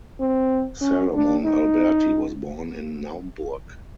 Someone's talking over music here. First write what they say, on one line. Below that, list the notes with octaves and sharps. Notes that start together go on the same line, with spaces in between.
Salomon Alberti was born in Naumburg.
C4
C#4
D4
D#4